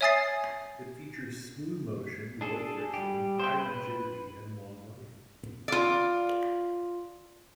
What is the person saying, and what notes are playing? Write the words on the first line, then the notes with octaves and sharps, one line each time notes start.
It features smooth motion, low friction, high rigidity and long life.
C#5 E5 G#5 D#6 A6 C7
D4 G#4 A4
G3 G4
C5 G5
B4
F4 D5